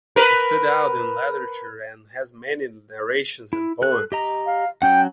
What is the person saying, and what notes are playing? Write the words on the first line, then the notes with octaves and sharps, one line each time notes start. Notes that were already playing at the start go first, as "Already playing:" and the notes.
He stood out in literature and has many narrations and poems.
A#4 B4
E4
A4 F#6
G4 D#5 A#5
F5
F#3 C#4 F#5 G5